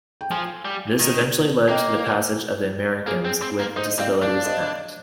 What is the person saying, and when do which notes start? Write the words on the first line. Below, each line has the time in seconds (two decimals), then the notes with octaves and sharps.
This eventually led to the passage of the Americans with Disabilities Act.
0.21 G5
0.31 F3 F5 G#5
0.65 G3
1.00 D#3
1.69 A#3 D#5 G5
3.07 A#3 G#4 C5
3.25 C4
3.42 C4
3.60 A#3
3.76 D#4 C5 D#5
3.99 C4 D5 F5
4.22 D4 D5 F5
4.45 C5 D#5